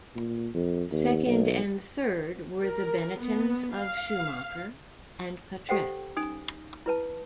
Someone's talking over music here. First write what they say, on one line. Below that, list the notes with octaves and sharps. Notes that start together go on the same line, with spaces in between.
Second and third were the Benettons of Schumacher and Patrese.
A#2
F2
D#2
B1
A#4
B3
F5
G4 A4 C5 F#5 G5
C#4 D#4 G#5 D#6
E4 B4 A5